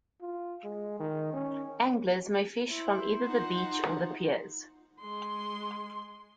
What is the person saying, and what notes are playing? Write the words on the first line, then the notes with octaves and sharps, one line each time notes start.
Anglers may fish from either the beach or the piers.
F4
G#3
D#3
C#4
E4 C5
D#4 F4 F#5
G#3 C6